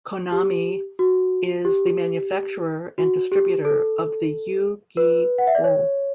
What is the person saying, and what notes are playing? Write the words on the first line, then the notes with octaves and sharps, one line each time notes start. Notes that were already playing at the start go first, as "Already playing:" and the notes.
Konami is the manufacturer and distributor of the Yu-Gi-Oh!
G4
F#4
G4
F#4
G4
A4
B4
F#5
E5
D5
C#5